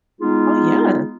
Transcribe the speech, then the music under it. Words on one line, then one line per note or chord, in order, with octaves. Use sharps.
Oh, yeah.
G#3 B3 D#4 F4 G#4